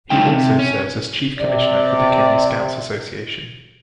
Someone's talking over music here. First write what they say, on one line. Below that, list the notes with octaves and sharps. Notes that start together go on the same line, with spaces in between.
He also serves as Chief Commissioner for The Kenya Scouts Association.
C#3 F#3 G#3 D#4 G5
C3
C#4
C3 D5